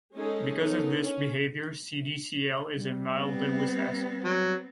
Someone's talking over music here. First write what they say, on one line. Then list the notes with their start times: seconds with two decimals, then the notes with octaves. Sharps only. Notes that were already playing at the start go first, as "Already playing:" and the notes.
Because of this behavior, CdCl is a mild Lewis acid.
0.16 G#3 C#4 D#4 G#4 A4
0.60 B3 C#4 D#4 A4 A#4
1.01 C#4
2.76 G3
3.11 B3 C4
4.24 F#3